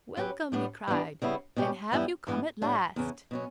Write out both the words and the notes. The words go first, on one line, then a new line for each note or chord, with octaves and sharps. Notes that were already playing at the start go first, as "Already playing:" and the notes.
"Welcome!" he cried; "and have you come at last?"
F#3 C#4 G4 B4
A2 G3 B3 D4
E3 G3 B3 D4
C#3 G3 B3 E4
B2 G3 C#4 G4
F#2 E3 G3 B3 E4
G2 E3 B3
A2 G3 D4
E2 C#3 E3
B2 F#3 C#4